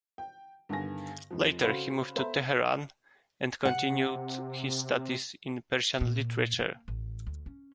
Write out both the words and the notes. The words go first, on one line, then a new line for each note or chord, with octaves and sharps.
Later, he moved to Tehran and continued his studies in Persian literature.
G5
G2 D3 D#3 B3 G#5 A#6
F1 F3
C#3 F#4 A4 C5 F5 B5
B3 A4 C5 E5 A#5 B5
C3 F#5
A#2
A#3
A1
D2
C#4